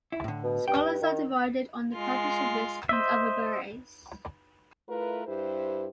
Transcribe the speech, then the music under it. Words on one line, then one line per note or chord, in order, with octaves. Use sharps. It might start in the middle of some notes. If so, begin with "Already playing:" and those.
Scholars are divided on the purpose of this and other barays.
E4
A2 D3
B2
G2 G5
D#3
G#3 F4
C5 D#5 E5
A3 E4 F4 A#4 B4
G2 E4 G4 B4 C5